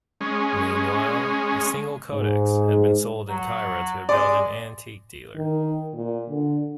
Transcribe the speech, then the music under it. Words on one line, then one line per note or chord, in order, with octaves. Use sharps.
Meanwhile, a single codex had been sold in Cairo to a Belgian antique dealer.
G#3 C#4
G#2
F#3
G#3 D5
D#3
A#2
D3